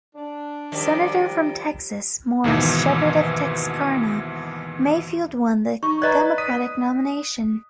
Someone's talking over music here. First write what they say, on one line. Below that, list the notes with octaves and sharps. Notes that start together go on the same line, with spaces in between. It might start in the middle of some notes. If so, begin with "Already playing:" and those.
Senator from Texas, Morris Sheppard of Texarkana, Mayfield won the Democratic nomination.
D4
D#3 F3 G3
D#2 G#2 B2 E3
D#4 C#6
B4 D5 D#5 A#5 F#6
D#6 B6 D#7